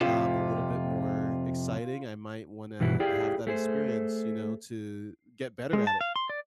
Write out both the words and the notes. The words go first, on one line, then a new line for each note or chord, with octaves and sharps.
um, a little bit more exciting, I might wanna have that experience, you know, to get better at it.
F2 C3 F4
G2 B2 E3 E4
E4 G4 G#4 D5 F5 G5
A3 G#4 C5
G#3
A5
F5
C6
D5